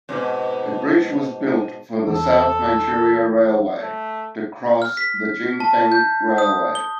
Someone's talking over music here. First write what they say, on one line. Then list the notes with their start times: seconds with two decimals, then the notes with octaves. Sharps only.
A bridge was built for the South Manchuria Railway to cross the Jingfeng Railway.
0.09 F2 G#2 B2
2.07 E2 A4
3.78 A3
4.82 F6
4.97 B6
5.60 A5
5.92 G6
6.38 D#6
6.75 G7